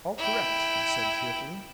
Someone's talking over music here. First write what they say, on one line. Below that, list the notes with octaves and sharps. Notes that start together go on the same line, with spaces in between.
"All correct," I said cheerfully.
E4 G5